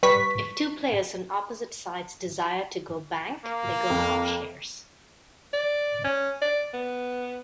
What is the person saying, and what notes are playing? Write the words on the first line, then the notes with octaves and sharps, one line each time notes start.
If two players on opposite sides desire to "go bank", they go half shares.
G3 B4 C#6 B6
A#3
F2
D5
C#4
D5
B3